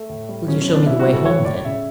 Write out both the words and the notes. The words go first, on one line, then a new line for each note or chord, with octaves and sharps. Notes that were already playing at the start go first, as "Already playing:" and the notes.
"Will you show me the way home, then?"
Already playing: A3
A2
G3
F#3 C#4
C#4
B2
D4
B2 E4
F#4
G3
A4
A2 C#5
A2 D5
C#3 E5